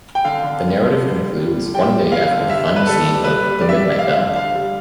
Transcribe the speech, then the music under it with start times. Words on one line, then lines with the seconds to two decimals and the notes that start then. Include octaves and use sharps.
The narrative concludes one day after the final scene of "The Midnight Bell".
0.15 G5
0.25 D3 F5
0.43 D3
0.63 D3
0.81 D3
1.00 G3
1.19 G3
1.37 G3
1.56 D3
1.74 G3 G5
1.93 G3
2.12 G3 F5
2.31 D3
2.49 G3 E5
2.69 D3
2.76 B4
2.86 G3 A4
3.06 G3
3.24 G3 B4
3.42 G3
3.61 G3 D5
3.69 E5
3.76 G3 D5
3.92 E5
3.99 G3 F5
4.18 D3
4.36 D3 F5
4.55 G3